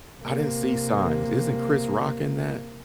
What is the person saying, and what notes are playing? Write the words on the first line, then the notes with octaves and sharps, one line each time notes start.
I didn't see signs, isn't Chris Rock in that?
C3 A#3